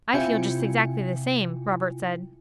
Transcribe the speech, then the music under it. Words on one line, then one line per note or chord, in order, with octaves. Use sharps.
'I feel just exactly the same,' Robert said.
C3 E4 F4 G5 G#5 C#7